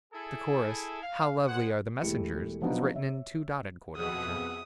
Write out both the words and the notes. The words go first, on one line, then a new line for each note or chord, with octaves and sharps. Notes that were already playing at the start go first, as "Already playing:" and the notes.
The chorus: "How lovely are the Messengers" is written in two-dotted quarter measure.
E4 G#4 A4
F5
B2 G#4 C5 F#5
E1 A3 E4 G4 C#7
F3 F#3 B3 D4 D#4
C#5 E5
F2 B2 G#4 E5 F#5 D#6